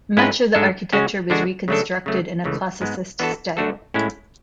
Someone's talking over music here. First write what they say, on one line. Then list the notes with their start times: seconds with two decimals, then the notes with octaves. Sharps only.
Much of the architecture was reconstructed in a Classicist style.
0.17 G#2 G#3 C#4 E4 B4
0.55 G#2 G#3 D4 A4
0.93 C#3 G#3 C#4 F#4
1.30 D3 G#3 D4 F#4
1.68 C#3 F#3 A3 D4 A4
2.06 C#3 F#3 A3
2.44 C#2 C#3 E3 A3
2.81 G#2 G#3 B3
3.19 E3 B3 D4 F#4 A4
3.57 D3 A3 D4 F#4 A4
3.94 A2 G#3 C#4 E4